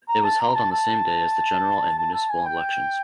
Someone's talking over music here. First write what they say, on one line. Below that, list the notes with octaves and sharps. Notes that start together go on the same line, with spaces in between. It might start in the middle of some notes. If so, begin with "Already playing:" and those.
It was held on the same day as the general and municipal elections.
A#5
A5
A#5
A5
A5
A5
A5
G#5
G5